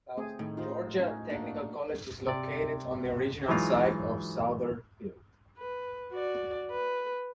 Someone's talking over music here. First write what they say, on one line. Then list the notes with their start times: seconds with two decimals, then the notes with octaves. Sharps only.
South Georgia Technical College is located on the original site of Souther Field.
0.17 A3 C4 G#4
0.39 A2 D#3
0.57 D#4 F4 G4 C5
0.99 C#4 D#4
1.30 A#3 D4 D#4 F#4
2.27 C3 D5
3.48 E3 F#3 G#3 D#4 F4
5.58 B4
6.12 F#4 D5
6.71 B4